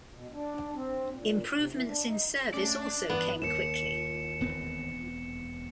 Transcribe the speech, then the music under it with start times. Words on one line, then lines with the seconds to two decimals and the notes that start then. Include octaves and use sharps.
Improvements in service also came quickly.
0.14 B2
0.33 D4
0.75 C4
1.10 A#2
1.56 C3
1.71 E3
1.86 D4
2.05 D#4
2.54 A3 C#4 D4 D5
3.10 G2 E3 B3
3.42 D#2 C#7 E7
4.41 E1 B3 C4